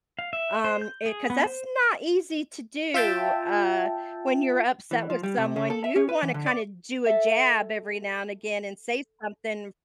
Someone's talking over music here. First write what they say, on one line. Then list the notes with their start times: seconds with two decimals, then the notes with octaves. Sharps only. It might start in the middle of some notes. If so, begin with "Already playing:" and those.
um, eh, 'cause that's not easy to do, uh, when you're upset with someone, you wanna kinda do a jab every now and again and say something, f
0.19 F5
0.33 E5
0.64 C5
0.81 G6
1.06 G#4
1.30 B3
1.46 C5
2.94 F4 E5 G5 A5
4.91 E3
5.10 F3
5.23 G3
5.37 C3
5.56 C#3
5.70 A4
5.84 E5
5.96 C#4
6.09 B4
6.22 E3
6.34 D3
6.46 D5
7.06 A4 E5